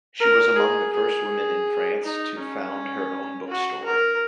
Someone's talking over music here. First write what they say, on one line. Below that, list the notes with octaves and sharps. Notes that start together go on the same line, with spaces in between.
She was among the first women in France to found her own book store.
A#4
G#4
G#4
D#4
C#4
F#4
A#4